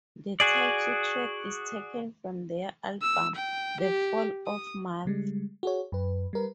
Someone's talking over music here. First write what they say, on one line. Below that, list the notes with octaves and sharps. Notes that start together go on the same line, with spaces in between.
The title track is taken from their album "The Fall of Math".
F#4 G#4 D5
E6
G5
G4
D#6
C#3 G3 G#3
F#4 G#4 C#5
F#2 B4
G3 A#4 B4